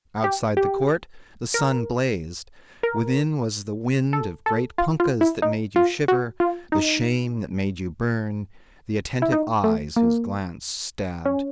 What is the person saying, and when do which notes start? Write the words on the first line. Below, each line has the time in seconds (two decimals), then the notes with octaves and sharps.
Outside the court the sun blazed--within was the wind of great punkahs that made you shiver, the shame that made you burn, the attentive eyes whose glance stabbed.
0.24 G4
0.57 G4
1.54 A#4
2.83 A#4
4.13 A4
4.46 A4
4.78 F4
5.00 F4
5.21 E4
5.42 D#4
5.76 F4
6.08 F#4
6.40 F4
6.72 D#4
9.22 E4
9.32 D#4
9.64 A3
9.96 A#3
11.25 C#4